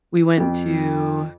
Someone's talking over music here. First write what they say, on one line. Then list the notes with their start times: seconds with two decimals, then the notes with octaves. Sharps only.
we went to,
0.38 F2